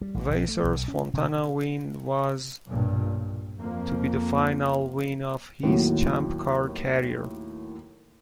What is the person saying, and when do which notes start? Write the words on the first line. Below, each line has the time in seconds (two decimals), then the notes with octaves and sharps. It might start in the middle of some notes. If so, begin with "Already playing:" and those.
Vasser's Fontana win was to be the final win of his ChampCar career.
0.01 G3
0.15 A1
0.30 A#1
0.48 A3
0.64 B1
0.88 C#4
1.14 C3
2.67 B1 G2 A#2
3.58 F2 F3 A#3
5.63 D#2 A2 F#3